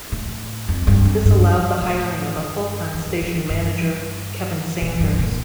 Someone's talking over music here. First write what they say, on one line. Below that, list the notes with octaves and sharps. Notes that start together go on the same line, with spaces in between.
This allowed the hiring of a full-time station manager, Kevin Sanders.
A2
F2
G2
F2
G2
A2
G2
G2
G2
G2
A#2
G2
A#2